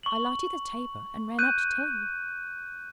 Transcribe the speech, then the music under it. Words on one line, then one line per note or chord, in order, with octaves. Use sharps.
I lighted the taper, and ran up to tell you.
C#6 F#7
F#6 G6 D#7